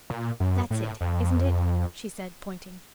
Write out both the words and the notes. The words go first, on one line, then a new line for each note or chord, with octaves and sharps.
"That's it, isn't it?" she said, pointing.
A#2
F#2
A2
F2